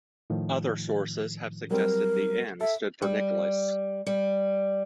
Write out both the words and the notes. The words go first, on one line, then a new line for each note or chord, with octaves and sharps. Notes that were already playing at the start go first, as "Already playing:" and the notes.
Other sources have suggested the "N." stood for Nicolas.
A2 D#3 F3
F#3 G3 C4 A#4
A4 E5
G3
G3